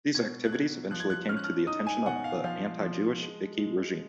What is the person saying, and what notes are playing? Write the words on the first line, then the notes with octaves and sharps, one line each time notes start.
These activities eventually came to the attention of the anti-Jewish Vichy regime.
B2 G#6
F#6
B2 G#6
F3 F#6
G#6
F#6
C#4 F6
F#6
F6
D#4 D#6
G#5
B2 F#5
F5
F3 F5
F3
G#3
G#3